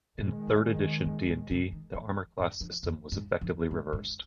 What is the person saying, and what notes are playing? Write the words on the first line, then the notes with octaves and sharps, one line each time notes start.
In third edition "D and D", the armor class system was effectively reversed.
A#2 D#3 G#3
F2
F2
G#2
A#2
C3
D#3
F3
G#2
F3
F2
G#2
F2
G#2
G#2